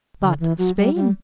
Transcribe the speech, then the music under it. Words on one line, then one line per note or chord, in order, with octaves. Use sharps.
But Spain?
D3
E3
F#3
G3
G3